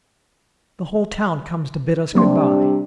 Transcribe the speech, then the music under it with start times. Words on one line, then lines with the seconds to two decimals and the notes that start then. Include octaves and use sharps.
The whole town comes to bid us good-by.
2.15 C3 F#3 G3 A#3 D4 C6